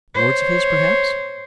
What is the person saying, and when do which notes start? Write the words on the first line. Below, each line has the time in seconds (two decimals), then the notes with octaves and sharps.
Wards of his, perhaps?
0.15 C5 C#5